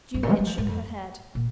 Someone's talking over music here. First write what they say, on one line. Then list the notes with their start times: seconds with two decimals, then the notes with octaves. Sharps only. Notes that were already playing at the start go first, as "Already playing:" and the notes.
Juliet shook her head.
0.14 G2
0.23 A#2
0.30 G#3
0.39 G3
0.47 F3
0.58 G#2
0.68 F2
1.35 A#2